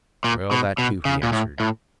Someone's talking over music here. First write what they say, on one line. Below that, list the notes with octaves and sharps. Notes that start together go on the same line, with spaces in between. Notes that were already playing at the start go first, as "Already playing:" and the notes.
Well, that too he answered.
A#2
B2
B2
C#3
A#2
A2
A2